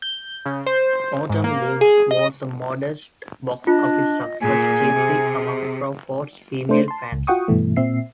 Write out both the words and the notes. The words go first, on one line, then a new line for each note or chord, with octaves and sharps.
"Autumn Leaves" was a modest box-office success, chiefly among Crawford's female fans.
G6
C#3
C5
G#2
A#3
G#4
D#5
D4 F4 D#5
A#2 G#4 G#5
C3
A3 D4 C5
A5 C6
C#2
F4 F#4 F#5 G5 C#6 D#6
G2 B2 E3 A3
A#2 C4 E5 C7